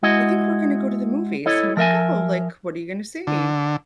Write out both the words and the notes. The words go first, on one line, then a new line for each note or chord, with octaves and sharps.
"I think we're gonna go to the movies," and I'm like, "Oh, like, what are you gonna see?"
G#3 E4 F#4 D#5
E4 A4 C#5 D#5
F3 A#4 E5 G#5
D3